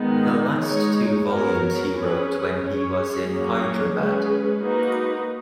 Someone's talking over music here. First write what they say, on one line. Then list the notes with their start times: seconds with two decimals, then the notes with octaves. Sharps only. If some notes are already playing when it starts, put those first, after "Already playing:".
The last two volumes he wrote when he was in Hyderabad.
Already playing: D#3 G#3 B3 D#4
0.59 G#3 D#4 G#4 C#5
1.26 B3 F#4 A#4 C#5
1.93 C#4 G#4 B4
2.60 C#4 G#4 C#5
3.27 F#3 A#3 C#4 G#4 C#5
3.94 G#3 C#4 G#4 B4
4.62 A#3 D#4 F#4 B4